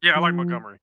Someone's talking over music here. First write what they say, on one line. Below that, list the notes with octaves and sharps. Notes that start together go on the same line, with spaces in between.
Yeah, I like Montgomery.
F3